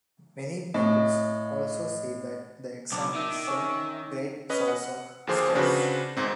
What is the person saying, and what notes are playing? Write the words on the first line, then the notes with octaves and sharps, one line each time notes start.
Many pupils also say that the exam is a great source of stress.
A2 D#5
B1 D4
D#3 E5
C#4
C#4 B4 D#5
F#5
D#2 D3 F3 G#4 C5 D6
C#3 C4 D4 F#4 B4
G#1 G#2 C4